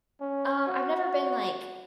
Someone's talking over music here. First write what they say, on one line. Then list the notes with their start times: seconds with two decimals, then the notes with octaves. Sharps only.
Um, I’ve never been, like
0.21 C#4
0.67 F#4